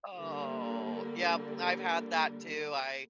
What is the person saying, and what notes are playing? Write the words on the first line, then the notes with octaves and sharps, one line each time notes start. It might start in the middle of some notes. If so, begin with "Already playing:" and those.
Oh, yep, I've had that, too, I
D3 G3 A#3